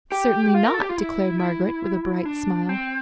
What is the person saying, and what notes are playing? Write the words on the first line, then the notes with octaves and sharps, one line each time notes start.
"Certainly not," declared Margaret, with a bright smile.
G4
F4
A#4
A4
G4
F4
E4
E4
D4
C4